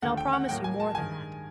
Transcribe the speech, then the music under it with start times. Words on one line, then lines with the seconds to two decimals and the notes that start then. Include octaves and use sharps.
And I'll promise you more than that.
0.02 D#2 D3 F3 A3 F#5
0.17 G5
0.33 F#5
0.49 A2 F#3 A#3 G5
0.64 G#5
0.80 A5
0.95 G2 D#3 G#3 G#5